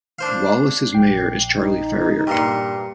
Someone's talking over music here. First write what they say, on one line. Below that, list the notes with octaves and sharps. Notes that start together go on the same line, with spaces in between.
Wallace's mayor is Charlie Farrior.
D4 C5 F5
A#1 G5 C7
D#4
G2 A#2 G4 A#5 C6 C#7